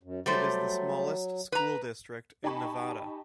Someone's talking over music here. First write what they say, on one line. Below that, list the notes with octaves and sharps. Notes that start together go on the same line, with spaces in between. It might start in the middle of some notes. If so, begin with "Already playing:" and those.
It is the smallest school district in Nevada.
F#2
F#3 G3 A3 C5
B4 A#5
D#4 G4 G#5 A5 B5 C#6